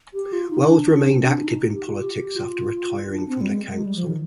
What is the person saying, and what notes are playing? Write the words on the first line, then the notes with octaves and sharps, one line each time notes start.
Wells remained active in politics after retiring from the council.
G4
F4
D#4
D4
D4
C4
D4
D#4
G4
F4
G4
F4
D4
C4
G3
G#3
G#3
G3
F3
D#3